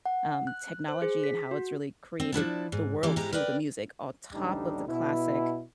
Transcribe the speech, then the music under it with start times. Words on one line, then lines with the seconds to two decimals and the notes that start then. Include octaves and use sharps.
um, technology and how it's really created the world through the music on top of the classic,
0.06 F#5
0.47 F#6
0.88 C5
1.02 G#4
1.24 B6
1.51 F#4
2.20 C4
2.32 F3 D4 E4 A5
2.72 G#2
3.03 E3 A#3 G4
3.16 G#2 G#3 E4 G4 A#5
3.33 A#4 B4 D5 G5
4.34 A1 D2 G3 D4 D#4
4.87 B2 E4